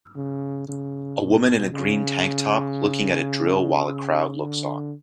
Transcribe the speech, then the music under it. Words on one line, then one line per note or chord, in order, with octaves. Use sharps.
A woman in a green tank top looking at a drill while a crowd looks on.
C#3
C#3
B2
C#3
C#3
D3